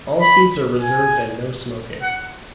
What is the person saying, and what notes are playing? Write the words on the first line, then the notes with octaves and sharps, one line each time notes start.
All seats are reserved and no-smoking.
B5
G#5
F#5